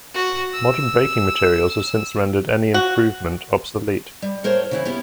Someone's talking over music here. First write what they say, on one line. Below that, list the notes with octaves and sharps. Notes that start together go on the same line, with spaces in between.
Modern braking materials have since rendered any improvement obsolete.
F#4
E6
F#4
G3
A2 A#4 C5 C#5
C#3 E3 E4
B3 C#4 E4 G4